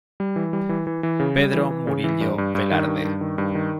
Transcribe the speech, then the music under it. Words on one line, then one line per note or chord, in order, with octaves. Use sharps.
Pedro Murillo Velarde.
G3
E3
G3
E3
E3
E3
C#3
G3
E3
E3
C#3
E3
G2
G2
G2
D#3
G2
G2
D#3
G2
D#3